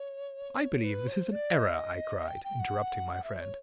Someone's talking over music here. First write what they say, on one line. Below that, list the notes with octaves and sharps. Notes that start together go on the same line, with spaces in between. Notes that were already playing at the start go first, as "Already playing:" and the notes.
"I believe this is an error," I cried, interrupting my friend.
Already playing: C#5
B4
C#5
C5
D5
D#5
G5
G5
F#5
E5
C#5